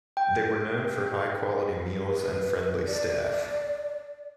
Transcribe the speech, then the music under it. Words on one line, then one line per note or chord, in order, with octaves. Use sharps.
They were known for high quality meals and friendly staff.
G5
B4
D5